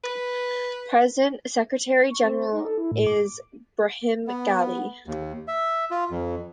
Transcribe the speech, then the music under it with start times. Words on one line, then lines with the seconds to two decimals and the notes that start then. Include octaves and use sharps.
Present Secretary-General is Brahim Gali.
0.04 B4
2.10 C#6
2.24 C4
2.52 D#4
2.65 A4
2.78 E4
2.92 A2
3.07 D6
4.27 B3
5.07 D#2
5.48 E5
5.91 F4
6.11 F2